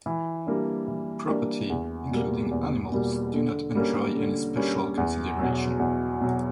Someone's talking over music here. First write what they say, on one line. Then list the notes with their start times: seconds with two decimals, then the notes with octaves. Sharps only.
Property, including animals, do not enjoy any special consideration.
0.06 E3
0.47 G3 A#3 D4
0.88 E3
1.28 G3 A#3 D4
1.70 E2
2.11 B2 G3 A#3
2.51 E2
2.92 B2 G3 A#3
3.34 D3
3.75 G3 A#3 C#4
4.16 D3
4.56 G3 A#3 C#4
4.98 E2
5.39 B2 F#3
5.80 E2
6.21 B2 F#3